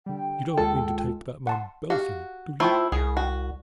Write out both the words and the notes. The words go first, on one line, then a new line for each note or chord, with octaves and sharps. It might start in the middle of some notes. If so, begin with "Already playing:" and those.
"You don't mean to take that man Bellfield, do you?"
D3 G3 G5
D#2 G#3 F4 A4
F#5 A5 C6
F#4 G4 F5
A3 E4 F4 C5 G5 C#6 E6
C2 G#4
F#4 G5